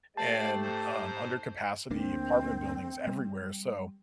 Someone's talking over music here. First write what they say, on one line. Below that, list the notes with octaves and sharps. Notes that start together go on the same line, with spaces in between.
and, um, under-capacity apartment buildings everywhere. So
A3 G4 C5 D5 F5 A5
G#2 C5
D2 A#3 C4 D4
G3